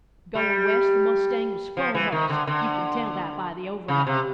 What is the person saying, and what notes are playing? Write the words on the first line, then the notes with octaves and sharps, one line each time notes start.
Goin' west the mustang was foremost; you can tell that by the overlap.
G3
F3
E3
D#3
D3
D3
C#3
C3